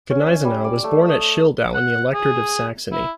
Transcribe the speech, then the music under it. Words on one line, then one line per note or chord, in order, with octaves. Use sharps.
Gneisenau was born at Schildau in the Electorate of Saxony.
C#4
G#5
G3
D5
A3
D#6
F#5
G#4
E4